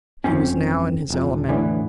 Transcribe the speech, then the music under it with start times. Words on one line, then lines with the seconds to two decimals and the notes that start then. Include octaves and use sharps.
He was now in his element.
0.24 G1 F2 C4 C#4
1.10 D#1 F2
1.24 D#1
1.49 E2 A2 D3 E3